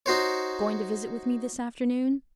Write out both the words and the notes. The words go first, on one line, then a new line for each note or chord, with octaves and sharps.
Going to visit with me this afternoon?
D#4 F#4 C5 C#5